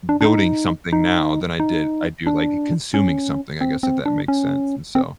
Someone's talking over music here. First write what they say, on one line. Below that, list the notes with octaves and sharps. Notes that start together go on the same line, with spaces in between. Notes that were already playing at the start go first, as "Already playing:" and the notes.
building something now than I did I do, like, consuming something, I guess, if that makes sense. And, so,
D4
D4
D#4
D#4
D#4
D4
C#4
C4
C4
D4
C#4
C4